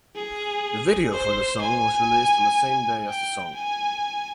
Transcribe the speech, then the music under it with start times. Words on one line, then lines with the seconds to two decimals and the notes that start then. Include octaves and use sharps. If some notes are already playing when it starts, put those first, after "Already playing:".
The video for the song was released on the same day as the song.
0.16 G#4
1.13 C5
1.61 G#5
3.06 G5
3.55 G#5